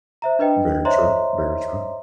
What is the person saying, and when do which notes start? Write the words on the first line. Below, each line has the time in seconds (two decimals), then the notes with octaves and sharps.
Very true. Very true.
0.22 C5 E5 A#5
0.39 D4 B4 D#5 G5
0.85 C5 C#5 D#5 E5 A#5 C6